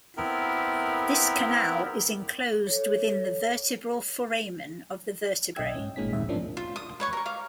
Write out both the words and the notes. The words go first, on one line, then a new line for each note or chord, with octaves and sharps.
This canal is enclosed within the vertebral foramen of the vertebrae.
B3 C4 E4 A#4
A4 C#5
B1 D#5 E5 G5 E6 G#6
G#2 C#4
G#1 A#2 G#3 C#4 D#4 B6
A#1 D#2 G#2 C3 E5
G#2 F3 A#3 C#4 D4
F4
D#6
B4 C#5 C#6
A#4 C#6
F5 D6